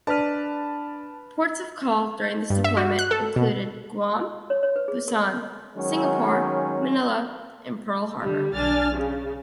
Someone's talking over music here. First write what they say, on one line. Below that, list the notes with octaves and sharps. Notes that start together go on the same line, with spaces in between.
Ports of call during this deployment included Guam, Busan, Singapore, Manila and Pearl Harbor.
D4 B4 D5 A5 F6 B6 D#7
G2
E5
F#4
F#6
A4
B2
C#5
C#5
B4
G#4
A#4
D#3 F#3 G#3 C#4
D3 G3
B1 D4 G#5 F6 A6
C#3